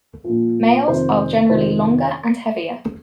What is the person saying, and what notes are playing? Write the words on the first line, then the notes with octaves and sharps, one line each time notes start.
Males are generally longer and heavier.
A#2 F3
F2 C3 D#3 C5
F2 C3 D#3 C5